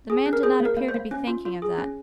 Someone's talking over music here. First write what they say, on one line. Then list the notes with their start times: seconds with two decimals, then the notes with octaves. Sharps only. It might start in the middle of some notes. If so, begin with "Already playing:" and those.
The man did not appear to be thinking of that.
0.10 G#4
0.26 C#4
0.33 A#4
0.43 G#4 C5
0.60 A#3
0.65 A#4
0.77 A#3
0.88 C5
0.94 A#3
1.11 C#4
1.27 F4
1.45 F4
1.62 G#4
1.78 C#4